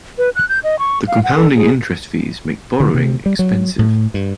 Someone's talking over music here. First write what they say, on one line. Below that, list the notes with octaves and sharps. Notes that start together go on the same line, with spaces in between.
The compounding interest fees make borrowing expensive.
B4
F#6
G6
D#5
C#6
F5
F#5
A4
G#4
D3
C3
G3
F#3
A2
G2